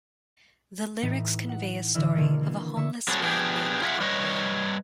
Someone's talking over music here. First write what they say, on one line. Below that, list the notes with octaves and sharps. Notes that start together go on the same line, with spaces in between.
The lyrics convey a story of a homeless man named Aqualung.
A2 E3 D#4
F#5
A1 D3 E3 E4 E5 F6
B2 D3 D#3 G#3 A#3
E3 A#3 B3
D3 E5 C#6
G3 C4 F#4 G#4 A4 C#5
B3 D4 D#4 F4 G4 G#4
F4 G#4 A4 D#5 E5 F#5
G3 B4 C#5 D#5